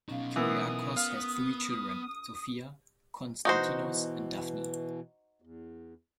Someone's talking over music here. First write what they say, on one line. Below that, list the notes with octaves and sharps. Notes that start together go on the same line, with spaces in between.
Kyriakos has three children, Sofia, Konstantinos and Dafni.
B2 C#4 D#4 F5
E3 B3 F4 A#4 D#6
B3 F5
B2 E3 D#4 F#4 C5
E2